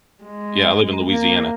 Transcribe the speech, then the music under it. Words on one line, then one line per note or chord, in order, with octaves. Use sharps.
yeah, I live in Louisiana.
G#3
A#3